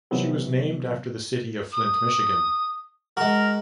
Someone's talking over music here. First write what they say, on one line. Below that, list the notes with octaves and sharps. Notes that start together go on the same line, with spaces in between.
She was named after the city of Flint, Michigan.
C3 D#3 E3 F#3 B3 C4
D#6
G#3 F#4 A#4